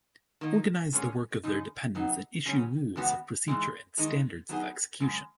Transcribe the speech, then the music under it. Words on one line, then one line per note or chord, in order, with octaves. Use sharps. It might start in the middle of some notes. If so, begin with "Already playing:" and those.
Organize the work of their dependents and issue rules of procedure and standards of execution.
D#3 A#3 D#4
A#2 G#3 C#4 G#4
F#2 C#3 D#4
C#3 F#3 B3 D#4
C#3 F#3 C#4
E2 C#3 G#3 B3 F#4
G#2 E3 G#3
E2 D#3 G#3 D#4
F#3 B3 D#4 G#4
F#2 C#3 G#3